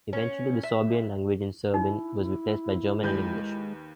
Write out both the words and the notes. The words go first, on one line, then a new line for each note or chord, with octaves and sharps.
Eventually, the Sorbian language in Serbin was replaced by German and English.
C#4
E5
D#4 E4
D#2 G#3 B4 G6